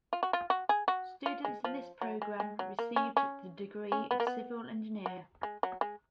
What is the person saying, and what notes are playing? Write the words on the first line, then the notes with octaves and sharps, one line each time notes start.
Students in this program received the degree of civil engineer.
F4
F#4
F4
F#4
G#4
F#4
F4
G#3
F3
F#3
G#3
G#3
F#3
A#3
C#4
C#4
C#4
B3
A#3
B3
F#3
G#3
F#3
G#3